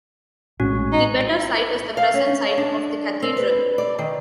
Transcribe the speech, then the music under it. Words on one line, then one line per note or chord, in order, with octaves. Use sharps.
The "better site" is the present site of the Cathedral.
A#1 A2 G#3 C#4 F#4
D#4
F5
C#4
D4
C4
B4
D5
D#3